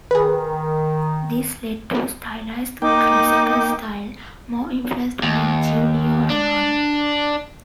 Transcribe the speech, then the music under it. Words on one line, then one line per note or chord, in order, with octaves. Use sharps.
This led to a stylized classical style, more influenced by Giulio Romano.
D#3 G#4 B4
A#3 D#4 G5 D6
D#2
D4